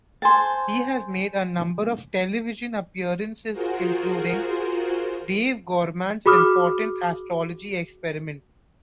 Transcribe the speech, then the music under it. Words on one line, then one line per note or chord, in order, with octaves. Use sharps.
He has made a number of television appearances including "Dave Gorman's Important Astrology Experiment".
C5 G#5 A5
F4 F#4 G#4 A#4 C5
F#4 G#4 B5 D6 D#6 F6